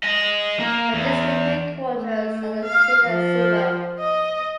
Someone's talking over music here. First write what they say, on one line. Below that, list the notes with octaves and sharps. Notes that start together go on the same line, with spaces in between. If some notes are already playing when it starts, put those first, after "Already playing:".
The district headquarters are located at Ziro.
D#5 G#5
A#3
E2
A3
F5
F3
D#5